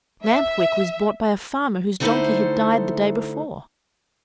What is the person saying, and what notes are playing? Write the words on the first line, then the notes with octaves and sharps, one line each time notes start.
Lamp-Wick was bought by a farmer whose donkey had died the day before.
E5
D3 A3 D#4 E4 A4 C5